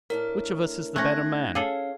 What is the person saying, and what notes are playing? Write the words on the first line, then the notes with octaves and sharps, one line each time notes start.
Which of us is the better man?
A2 D4 A#4 A5
A3 C#4 D#4 G4 F#6 G#6 A#6
C#4 G#4 A4 F5